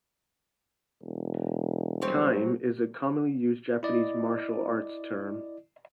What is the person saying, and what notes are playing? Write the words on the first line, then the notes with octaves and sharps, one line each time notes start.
"Kime" is a commonly used Japanese martial arts term.
E1
F#3 G3 C4
E4 D5 D#5